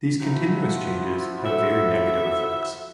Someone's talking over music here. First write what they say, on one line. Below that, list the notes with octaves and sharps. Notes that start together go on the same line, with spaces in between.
These continuous changes have very negative effects.
F3 D#4 E4 F#4
F4
F4 A4 E5